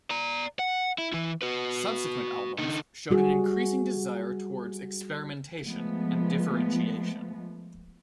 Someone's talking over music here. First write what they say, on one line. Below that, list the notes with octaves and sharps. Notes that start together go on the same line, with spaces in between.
Subsequent albums showed an increasing desire towards experimentation and differentiation.
D5 A#5
F#5
E4
E3 E4
F#4 B4
D3 D#4
G3 F#4 G#4
F3 G#3 A3 B3